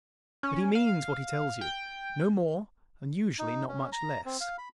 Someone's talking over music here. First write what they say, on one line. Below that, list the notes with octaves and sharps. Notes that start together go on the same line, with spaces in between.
But he means what he tells you, no more, and usually not much less.
C#4
F5
G5
D#4
C#4
A#5
C4
F5
B5